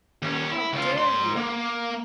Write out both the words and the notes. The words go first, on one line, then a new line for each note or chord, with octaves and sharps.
How dare you?
D#2 C#4
E4
C#2 F4
G#2 C6
A#3